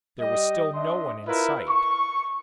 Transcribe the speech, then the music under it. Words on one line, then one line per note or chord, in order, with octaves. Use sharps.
There was still no one in sight.
G3 G4 D#5
D4 D#5 E5 C6
E4 F4 A#4 B4
C#6